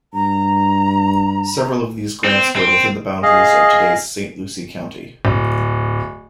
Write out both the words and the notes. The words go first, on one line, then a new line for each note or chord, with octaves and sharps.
Several of these grants were within the boundaries of today's Saint Lucie County.
G2 A#5
C4
C4
G#4 D#5 F5
D1